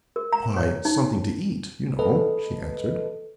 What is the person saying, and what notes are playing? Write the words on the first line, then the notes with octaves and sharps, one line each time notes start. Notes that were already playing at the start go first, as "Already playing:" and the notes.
"Why--something to eat, you know," she answered.
A#4
A#5
C#5
D#4
A4 B4 D#5